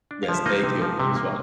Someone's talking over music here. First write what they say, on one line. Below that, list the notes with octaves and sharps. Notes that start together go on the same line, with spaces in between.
Yes, thank you. You as well.
D4
F5
F3
E5
A#3 D#4 D#5
C3
F3
C3
A#3